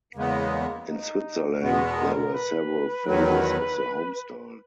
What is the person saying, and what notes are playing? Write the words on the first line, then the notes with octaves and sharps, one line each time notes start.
In Switzerland there were several phases of the home style.
E2 C#3 G#3 A#3 B3
D#4
E2 B2 G#3 B3 F#4
A#4
B4
E2 D#3 F#3